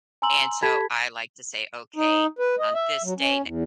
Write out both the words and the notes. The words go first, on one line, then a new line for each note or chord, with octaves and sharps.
and so I like to say, "Okay, on this date,
G#5 A#5 C6 E6 F#7
G4 A4 A5 B5 G#6 B6
D#4
B4
D#5
E5
F#3
C#4
E2